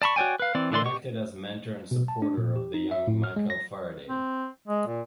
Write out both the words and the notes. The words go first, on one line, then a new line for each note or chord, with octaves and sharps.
He acted as mentor and supporter of the young Michael Faraday.
D5 A5 B5 C#6
F#4 C#5 D5 G5 G#5
B4 F5
E3 C4 D5
D3 E3 D5 C6
G4 C#6
B2
A5
D4
A#2
G4
D#4
E5
A2
F6
G#3
A#6
C4
G#3
A#2